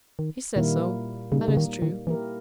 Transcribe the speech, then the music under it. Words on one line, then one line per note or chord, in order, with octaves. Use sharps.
"He says so, that is true."
D#3
A#2 D#3 G3 A#3 E4 A#4
C#3 G3 A#3 D#4
C#3
D#3
D#3
E3 A#3 E4 G4 A#4